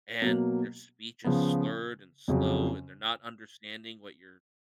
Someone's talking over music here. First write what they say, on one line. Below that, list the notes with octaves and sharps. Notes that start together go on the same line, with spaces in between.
and their speech is slurred and slow, and they're not understanding what you're
B2 F#3 A#3
C#3 F3 B3
F2 C#3 F#3 C#4